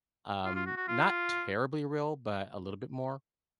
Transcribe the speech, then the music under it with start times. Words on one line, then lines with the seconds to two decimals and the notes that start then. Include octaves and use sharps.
um, not terribly real, but a little bit more.
0.45 F4
0.55 F4
0.66 F#4
0.76 F#4
0.88 F4